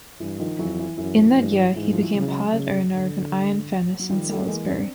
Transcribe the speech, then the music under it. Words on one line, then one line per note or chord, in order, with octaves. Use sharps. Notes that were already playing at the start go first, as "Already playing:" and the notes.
In that year, he became part owner of an iron furnace in Salisbury.
G2 E3
D#3 F3
F2 E3 F#3
E3
F#2 E3
F3
G2 E3
G#2 E3
F3
E3 F#3
C#3
F#3 G#3
C#3
D3
F#3
D#3 F3 G3
G3 A3
E3 G#3 A#3
C4 D4